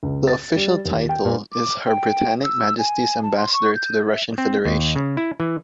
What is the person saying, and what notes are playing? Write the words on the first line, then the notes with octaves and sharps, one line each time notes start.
The official title is Her Britannic Majesty's Ambassador to the Russian Federation.
C#2
A6
G3
D#2
G5
A#2
D6
G5
E6
G#5
A5
C6
C#6
G6
E5
C4
D#2
C#3
E4
E3